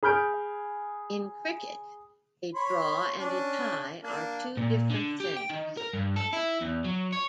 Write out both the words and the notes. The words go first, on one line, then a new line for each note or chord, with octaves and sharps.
In cricket, a draw and a tie are two different things.
G#4 B5 F6 G6 D7
C#5 B5 C6
C#4 D4
A#3 D4
A#2
D3
G4
G5
D#3
A#4
G2
A4
E4
E2
F#3
C#5